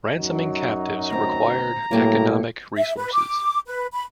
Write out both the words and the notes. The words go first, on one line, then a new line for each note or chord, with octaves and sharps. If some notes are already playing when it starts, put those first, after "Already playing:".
Ransoming captives required economic resources.
F#2 F#3 D#4
D2 C4 A#5
A2 F#3 G3 A#3
E5
B4
D6
B4
B5